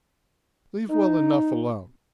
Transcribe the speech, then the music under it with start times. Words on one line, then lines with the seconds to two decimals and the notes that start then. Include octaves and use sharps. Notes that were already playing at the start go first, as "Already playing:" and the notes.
Leave well enough alone.
0.90 D#4